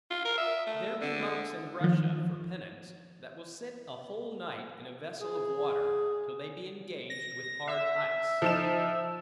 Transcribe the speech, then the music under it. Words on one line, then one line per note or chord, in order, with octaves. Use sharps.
There be monks in Russia, for penance, that will sit a whole night in a vessel of water, till they be engaged with hard ice.
F4
A#4
E5
A3
D3
D#3 F3
G#4
A#6
E5
F3 D#4 E7